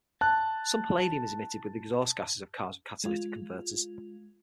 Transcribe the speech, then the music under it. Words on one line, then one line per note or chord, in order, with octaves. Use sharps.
Some palladium is emitted with the exhaust gases of cars with catalytic converters.
A5 F#6
G#3 F4